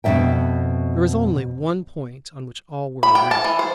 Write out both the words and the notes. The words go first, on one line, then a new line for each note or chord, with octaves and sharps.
There was only one point on which all were agreed.
F2 B2 E3 C4 E5 G5
B5
G5
A5
E3
C5